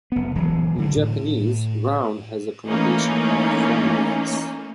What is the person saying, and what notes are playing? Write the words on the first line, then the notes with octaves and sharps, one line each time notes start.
In Japanese, round has a connotation of friendliness.
F#1 B3
D#1 E3 F#3 G#3
G2 D3
A2
E3 A3 A#3 C#4 D#4